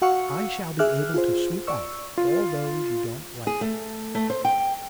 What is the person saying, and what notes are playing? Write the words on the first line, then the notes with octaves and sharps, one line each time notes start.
'I shall be able to sweep out all those you don't like.
F#4 F5 F#5 C#6 E6 C#7
G#4 E5 D6 F6 F#6
F4 G#4 C5
D5 C#6 E6
F4
G#4
A3
A3
C5
G5